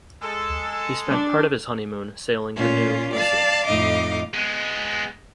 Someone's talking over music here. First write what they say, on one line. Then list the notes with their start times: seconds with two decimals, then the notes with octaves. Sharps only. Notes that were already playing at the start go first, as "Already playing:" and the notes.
He spent part of his honeymoon sailing the new "Lucie".
0.22 G#3 A4
1.06 D4
2.56 A#2 C#4 F4
3.13 D5 F5 A5
3.65 F2 A2 D#4 D#5 F5 D6
4.34 G#3 B3